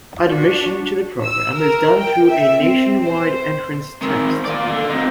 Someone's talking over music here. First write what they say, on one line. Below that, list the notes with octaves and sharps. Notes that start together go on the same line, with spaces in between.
Admission to the program is done through a nationwide entrance test.
D4 F#4
E6
A#4
G5
E5
C4
C5
D#3 C4
F4 D5
D3
C4 D#4